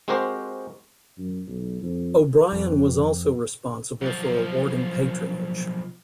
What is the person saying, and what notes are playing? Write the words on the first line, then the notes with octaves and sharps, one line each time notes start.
O'Brien was also responsible for awarding patronage.
G#3 C4 F#4 G4 A#4 C5
F#2
B1
F2
F2
B1 F3